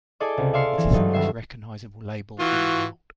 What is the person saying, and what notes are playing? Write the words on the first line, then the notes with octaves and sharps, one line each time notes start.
It is the most recognizable label in the world.
E4 G#4 A4 D5 D#5 D6
C#2 C3
D5 E5 F5 C6 C7 C#7
E3
G2 F#3 A3 D#4
D#1 G3 E5 C7
E3 F4 F#4